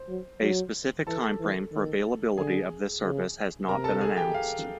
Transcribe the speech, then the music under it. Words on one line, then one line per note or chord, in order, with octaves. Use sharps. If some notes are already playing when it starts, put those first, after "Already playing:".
A specific time frame for availability of this service has not been announced.
Already playing: C5
F#3
F#3
E3 A4 A5
E3
D#3
D3 G#4 G#5
C#3
C3 A#4 A#5
A4 A5
G#4 G#5
G4 G5
F5